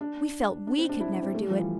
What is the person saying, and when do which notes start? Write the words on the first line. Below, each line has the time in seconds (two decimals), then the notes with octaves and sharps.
We felt WE could never do it.
0.01 D4
0.67 D4
0.78 C4
0.89 D4
1.00 E4
1.11 D4
1.22 C4
1.34 A3
1.42 G3
1.50 F3
1.59 E3